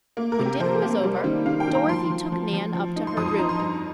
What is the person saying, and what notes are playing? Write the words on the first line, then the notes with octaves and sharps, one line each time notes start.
When dinner was over, Dorothy took Nan up to her room.
A#3
A#4
C3
G4
F3 C5
A#3
G3
D#3
D#3 F5
G5
D#3
A#5
F3 C6
F3
F3
F3
F3
D#4
C6
F2 D#6
C6
D#4 A#5
C6
G2 A#5